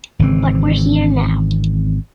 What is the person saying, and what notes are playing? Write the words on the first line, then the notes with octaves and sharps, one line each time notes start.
But we're here now.
G#1 C#3 E3 C4